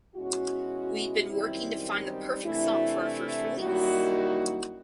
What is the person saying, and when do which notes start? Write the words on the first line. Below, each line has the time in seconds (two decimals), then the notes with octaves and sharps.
We’d been working to find the perfect song for our first release.
0.16 B2 G#3 C#4 E4 F#4
1.30 F#2 D#3 G3 C4 E4
1.87 D#4
2.44 C3 E3 A3 D4 E4
3.01 E4
3.58 F#2 D#3 G3 A#3 D#4 E4 F#4